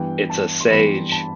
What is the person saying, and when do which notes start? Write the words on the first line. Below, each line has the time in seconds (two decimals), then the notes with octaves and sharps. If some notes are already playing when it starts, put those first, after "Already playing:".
It's a sage.
Already playing: G2 E3 B3 G5
0.30 A5
0.60 C6
0.71 G2 E3 B3 B5
1.12 A5